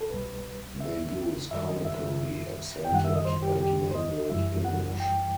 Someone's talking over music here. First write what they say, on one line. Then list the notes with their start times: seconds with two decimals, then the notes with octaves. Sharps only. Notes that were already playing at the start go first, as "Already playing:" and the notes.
They use comically accented and mangled English.
0.01 A4
0.10 C2 B2 G3 B4
0.80 E5
1.50 F#2 D#3 G3 E5
1.68 D#5
1.85 E5
2.85 G5
2.90 F#2 D#3 G3 F#5
3.04 E5
3.16 D#5
3.25 C5
3.42 G4
3.61 G4
3.91 C5
3.95 D#5
4.30 F#2 E3 G3 E5
4.65 F#5
5.00 G5